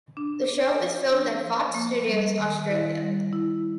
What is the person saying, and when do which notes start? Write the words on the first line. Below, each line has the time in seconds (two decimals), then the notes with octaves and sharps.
The show is filmed at Fox Studios Australia.
0.17 D4
0.48 D4
0.80 F3
1.12 D4
1.44 F3
1.74 A#3
2.06 G3
2.38 D#3
2.69 E4
3.01 G3
3.33 E4